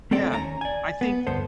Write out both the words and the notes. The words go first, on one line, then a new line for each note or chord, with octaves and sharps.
Yeah. I think
A3 C4 A4 D5 G5
D#2 C#4 E4 A#5
D5 G#5
B3
D2 G2 B3 A4 C5